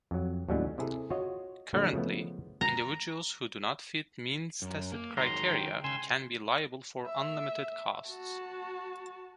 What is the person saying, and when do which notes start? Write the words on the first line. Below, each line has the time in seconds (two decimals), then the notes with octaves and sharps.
Currently, individuals who do not fit means-tested criteria can be liable for unlimited costs.
0.11 F2 F#3
0.49 D#2 A2 F#3 G3 C#4 D4
0.78 C3 E4 G#4 A4
1.10 F4 F#4 C#5 D#5
1.73 A#2 D3 F#3 G#3
1.94 C#3 F3 A3 B3
2.61 A#5
4.62 F#2
4.92 A#3
5.17 D#3 F#3 G#3 A#5 C6
5.55 G5
5.84 C#3 G#5 C6 E6
7.06 E5
8.10 F#4 A5